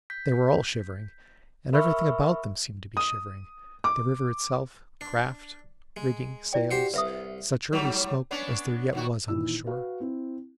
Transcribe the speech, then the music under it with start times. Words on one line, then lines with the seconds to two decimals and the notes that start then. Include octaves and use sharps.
They were all shivering, and everything about them seemed to be shivering; the river itself; craft, rigging, sails, such early smoke as there yet was on the shore.
0.10 G6 B6
1.73 A#4 E5 B5 C#6 E6 F6
2.97 D#6
3.84 D6
5.01 D4
5.97 G#3
6.53 E4 D5 G5
6.71 F#4 G4 C5
6.94 C2 B4 E5 D#6
7.72 G#2 F#3 G3
8.31 B3 C#4 D4
8.93 B2 D#3 F#4
9.28 A#2 D#3 E3 E4 E6
9.67 F#4 B4 F5
10.00 C4 E4